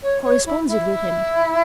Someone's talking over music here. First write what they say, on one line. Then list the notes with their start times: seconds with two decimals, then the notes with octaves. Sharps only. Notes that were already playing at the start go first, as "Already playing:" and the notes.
"Corresponded with him?"
0.02 C#5
0.23 C#5
0.45 E4
0.67 E4